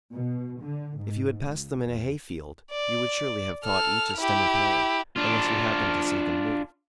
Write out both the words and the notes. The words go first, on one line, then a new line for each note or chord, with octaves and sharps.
If you had passed them in a hay-field, you would surely have thought each a stem of hay, unless you happened to see them move.
B2
D3
G#2
C#2
E2
D5
A4 F6
E4 G4
D4 F4